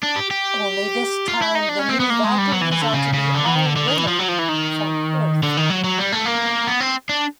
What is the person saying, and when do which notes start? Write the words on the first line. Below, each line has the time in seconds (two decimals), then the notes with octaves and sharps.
Only this time the new Valkyries are to be all women from Earth.
0.03 D4
0.16 G4
0.31 G4
1.28 F4
1.42 E4
1.55 D#4
1.69 D4
1.79 C#4
1.89 C4
2.00 B3
2.10 A#3
2.24 G#3
2.38 G3
2.52 F#3
2.62 E3
2.72 E3
2.82 D3
2.94 C#3
3.14 C#3
3.35 D3
3.46 E3
3.55 D#3
3.66 D3
3.76 D3
3.87 D#3
3.97 E3
4.07 F3
4.19 F#3
4.28 F3
4.39 E3
4.49 D#3
5.43 D3
5.57 D#3
5.70 F#3
5.84 F#3
5.98 G3
6.12 A3
6.25 A#3
6.67 B3
6.80 C4
7.09 D4